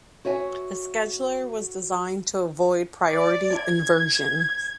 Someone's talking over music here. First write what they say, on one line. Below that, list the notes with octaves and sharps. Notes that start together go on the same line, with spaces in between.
The scheduler was designed to avoid priority inversion.
F#4 C#5 E5 G#5
D5
G#6